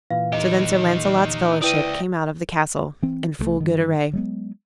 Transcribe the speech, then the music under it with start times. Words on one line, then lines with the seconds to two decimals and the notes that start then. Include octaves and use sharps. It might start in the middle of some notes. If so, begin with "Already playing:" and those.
So then Sir Launcelot's fellowship came out of the castle in full good array.
0.11 A#2 E3 F5
0.33 D#4 G4 D#5
1.62 E4 B4 D5 E5 G5 D#6 D#7
3.02 E3 C4
3.39 C2 F#3 A3
3.60 G2 D#3
4.13 F#3 G#3 B3